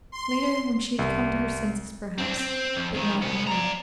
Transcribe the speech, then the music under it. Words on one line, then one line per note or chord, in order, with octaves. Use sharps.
Later, when she had come to her senses, perhaps--but not now.
C6
C2
C4 D4
C4
F2
F2 D#3
C2 B3
D5 A#5